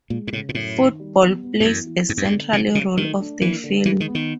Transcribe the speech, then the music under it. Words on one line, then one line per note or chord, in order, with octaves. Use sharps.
Football plays a central role of the film.
A#2 G#3
G#2
A2 C#3
A#2
F#2 A2
D#3
G3
B3
B3
G2
F#2 E3
E3
G2 B3
F#2
G2
D3
C3 F#3
C#3 F#3
D#3 A3
D4
E3 A#3
D3
E3 G#3
D#3
B3
D#3